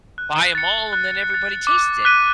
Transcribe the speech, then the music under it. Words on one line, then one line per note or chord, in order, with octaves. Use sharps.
buy 'em all and then everybody taste it.
F#6
A6 C#7
F#6
A6 C#7
D6
F#6 B6 D#7 G7